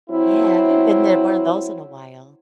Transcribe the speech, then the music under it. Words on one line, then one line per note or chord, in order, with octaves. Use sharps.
Yeah, I haven't been there in one of those in a while.
F#3 C4 E4